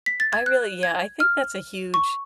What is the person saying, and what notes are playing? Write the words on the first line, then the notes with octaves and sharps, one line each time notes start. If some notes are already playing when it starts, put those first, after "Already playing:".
I really yeah, I think that's a huge,
B6
A6
G#6
F#6
G#6
F6
C#6